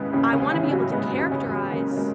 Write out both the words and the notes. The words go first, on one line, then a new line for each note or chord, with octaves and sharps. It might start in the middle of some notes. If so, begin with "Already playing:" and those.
I wanna be able to characterize
Already playing: D#2 C#3 G#3 B3 E4 B4
D#2 C#3 C#4
C#3 C#4
D#2
E3 E4
C#3
F#3 F#4
G#3 B3
D#2
C#3 C#4
D#2
C#3 A#3 A#4
G#3